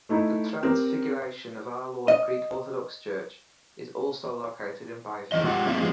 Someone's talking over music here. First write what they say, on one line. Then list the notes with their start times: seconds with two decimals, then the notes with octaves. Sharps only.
The Transfiguration of Our Lord Greek Orthodox Church is also located in Bayview Avenue.
0.09 A3 D#4 E4
0.63 C4 G4 A#4
2.08 D#5
5.32 E2 D#3 E3 D#5
5.44 G#3 F4 G4 F#5
5.66 A3 A#3 C4 D4 E5 F5
5.79 F3 G#3 B3